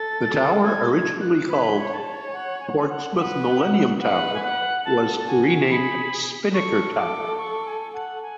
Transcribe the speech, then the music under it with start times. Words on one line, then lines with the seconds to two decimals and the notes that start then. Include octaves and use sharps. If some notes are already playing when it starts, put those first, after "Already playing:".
The tower, originally called Portsmouth Millennium Tower, was renamed Spinnaker Tower.
Already playing: A4 A6
0.64 G#6
0.92 G#6
1.20 F#6
1.48 B4 B5
1.77 C#5
1.91 A5
2.04 C#5
2.27 G#5
2.33 F#5
2.60 G#5
2.69 F#5
2.78 G#5
2.89 F#5
3.16 B4 F#5
4.00 B4 F#5
4.34 G#5
4.43 F#5
4.85 A4 A5
5.18 A5
5.27 F#4 G#5
5.69 G#4 B5
6.53 A4 C#6
6.96 D6
7.38 C#6
7.66 G#5
7.93 F#5
8.22 G#5